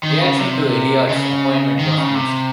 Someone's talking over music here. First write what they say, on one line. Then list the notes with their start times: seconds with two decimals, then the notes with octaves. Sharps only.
Reaction to Elliott's appointment was mixed.
0.03 D#3
0.21 C#3
0.38 C3
1.09 C#3
1.79 D#3
1.98 C#3
2.14 C3